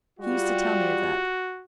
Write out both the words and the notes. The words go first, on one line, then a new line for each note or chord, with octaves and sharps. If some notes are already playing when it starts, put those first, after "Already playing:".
He used to tell me of that.
G3 F4 F#4